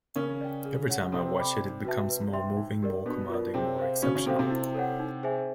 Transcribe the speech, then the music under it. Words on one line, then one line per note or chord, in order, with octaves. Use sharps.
Every time I watch it, it becomes more moving, more commanding, more exceptional.
C#3 C#4 A#4
D5 G5
G#4
C#5 F#5
C3 C4 A4
D5 G5 B5 D6
D#4
F#4 B4 E5 A5
B4
E5 G5 C6
D#4
G4 A#4 D5
B2 B3 D4
F4 A#4 D5
C3 C4 G#4
C5 F5
C#3 C#4 F#4
C#3 C#4
C3 C4 A4 C5 F5
C3 C4
E4
A4 C#5 F#5
D#4
G#4 C5 E5 G#5